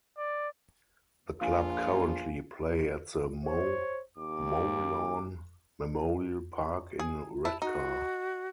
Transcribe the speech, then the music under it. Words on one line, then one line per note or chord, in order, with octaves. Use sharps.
The club currently play at the Mo Mowlam Memorial Park in Redcar.
D5
A#1 F4 F5 G#5
C5 C#5
D#2 D6
G#4
E4 A5
D#4 F#4